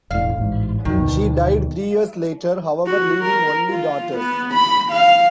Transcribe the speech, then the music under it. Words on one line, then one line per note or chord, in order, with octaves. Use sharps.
She died three years later, however, leaving only daughters.
E1 A2 F5
A1 G#2
B1 F2 D#3 F#3
D2 B2
F#4
A#4
F4
B3
B5
F5